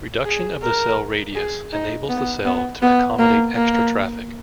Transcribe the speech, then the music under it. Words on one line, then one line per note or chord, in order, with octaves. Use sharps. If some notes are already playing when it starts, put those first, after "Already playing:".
Reduction of the cell radius enables the cell to accommodate extra traffic.
G#4
A#4
G#4
D#4
B3
B3
B3
A#3
A#3